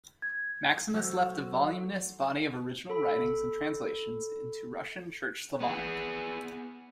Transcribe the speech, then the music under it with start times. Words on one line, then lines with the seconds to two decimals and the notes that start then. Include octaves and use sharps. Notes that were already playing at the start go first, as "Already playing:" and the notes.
Maximus left a voluminous body of original writings and translations into Russian Church Slavonic.
0.22 G#6
0.94 F#3 F#4 A4 C5 F#5
2.90 A4 B5
5.60 B3 G#4